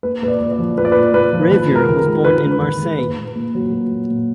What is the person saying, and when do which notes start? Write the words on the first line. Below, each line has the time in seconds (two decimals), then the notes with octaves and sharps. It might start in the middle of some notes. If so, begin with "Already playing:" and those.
Ravier was born in Marseille.
0.03 A#3 B4
0.22 A#2 B4
0.28 D5
0.40 A#2
0.52 D5
0.59 F3
0.77 A#3 B4
0.85 D5
0.92 B4
0.96 A#2
1.14 A#2 B4
1.32 F3
1.50 D#3 B4
1.70 G#3
1.75 A#4
1.89 D#3
2.00 A#4
2.06 G#3
2.25 D#3 B4
2.44 G#3
2.61 D#3
2.81 G#3
2.98 A#3 B4
3.17 A#2
3.35 A#2
3.55 F#3
3.72 A#3
3.91 A#2
4.10 A#2